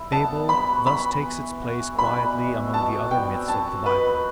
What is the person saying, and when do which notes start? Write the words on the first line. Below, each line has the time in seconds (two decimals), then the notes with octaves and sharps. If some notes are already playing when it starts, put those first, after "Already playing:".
Babel thus takes its place quietly among the other myths of the Bible.
Already playing: G3 E4
0.12 B3 A5
0.30 G3
0.49 E3 B5
0.68 F#4
0.86 E3 B5
1.05 B3
1.25 E3
1.42 E3
1.62 F#4
1.80 E3
1.99 B2 B5
2.17 G3
2.36 B2
2.54 C4
2.74 B2 A5
2.92 B2
3.10 G3 G5
3.29 C4
3.48 F#2 A5
3.67 C4
3.86 D#4 B4
4.05 F#3